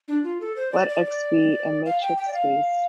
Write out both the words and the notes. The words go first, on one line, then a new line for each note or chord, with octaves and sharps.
Let "X" be a metric space.
D4
F4
A4
C5
D5
D5
D5
F5
G5
G5
D5
F5